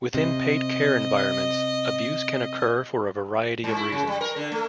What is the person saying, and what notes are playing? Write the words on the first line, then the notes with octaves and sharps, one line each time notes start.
Within paid care environments, abuse can occur for a variety of reasons.
C3 D#5
G#2
E4
C#3
G3
A#4
D3
A3